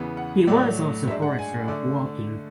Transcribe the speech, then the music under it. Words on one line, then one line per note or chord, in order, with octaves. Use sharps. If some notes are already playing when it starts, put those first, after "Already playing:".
He was also Forester of Woking.
Already playing: E2 C#3 E3 B3
F#5
A2 F#3 A3 D5
G#2 G#3 D4 E5
F#5
G#5
D3 A3 D4 D5